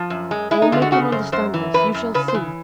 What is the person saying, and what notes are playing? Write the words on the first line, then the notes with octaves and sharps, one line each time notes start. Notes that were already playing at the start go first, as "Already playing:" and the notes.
I will make him understand this, you shall see.
Already playing: F3
F#2
G#3
G#3 E4
D#4
D3 F4
F#4
C#3 F#4
F#2 C5
F#2 C5
E3
F#2 B4
F#2
C#3 B4
C5
E3